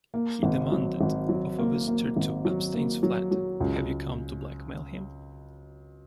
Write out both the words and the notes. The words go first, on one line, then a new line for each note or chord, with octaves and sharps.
He demanded of a visitor to Epstein's flat, Have you come to blackmail him?
A#3
G#1
F#3
G#1
F#3
A#3
A#3
G#1
F#3
A#3
F#3
F#3
C#2